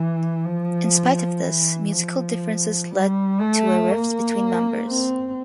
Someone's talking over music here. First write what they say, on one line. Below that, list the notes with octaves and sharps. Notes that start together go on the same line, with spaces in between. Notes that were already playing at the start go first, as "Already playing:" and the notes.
In spite of this, musical differences led to a rift between members.
Already playing: E3
F3
E3
F3
G3
A3
A#3
C4